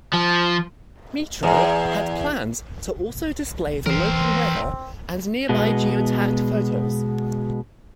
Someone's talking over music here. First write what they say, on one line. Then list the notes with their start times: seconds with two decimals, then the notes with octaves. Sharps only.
Meetro had planned to also display the local weather and nearby geotagged photos.
0.14 F3
1.43 E2
3.86 E3 C4 A#4 C5
5.49 B2 G#3 B3